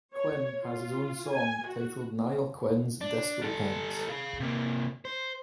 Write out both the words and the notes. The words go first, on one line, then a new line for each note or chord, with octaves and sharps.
Quinn has his own song titled "Niall Quinn's Disco Pants".
C#5
F4
G#5
F#4
D4
G3 A4
G#4 F5
C3 A#3
C5